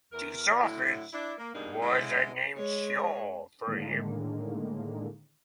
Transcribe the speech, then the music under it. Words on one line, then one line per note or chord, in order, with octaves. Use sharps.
This office was name Shaw for him.
E2 A#4
A2 D3 F#3 E4
D4 E4 D5
A#3
G2 B2 G#3 A#3 D4 D#4
D3 G#3 B3 C#4 E4
G#3 C#5
A2 D3 D#3 G#3 A#3